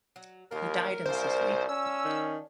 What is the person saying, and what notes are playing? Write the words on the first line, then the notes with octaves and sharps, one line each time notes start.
He died in Sicily.
F#3
D#2 F4 G4 A#4
C2 D4 F4 C5
C#4 E6
D#3